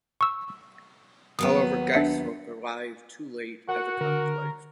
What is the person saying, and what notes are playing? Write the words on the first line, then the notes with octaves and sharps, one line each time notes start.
However Gaisruck arrived too late at the conclave.
C#6 E6
D#2 F#3 B3 D#6
D4 E5 C#7
F#4 A#4 F#5
D3 A#4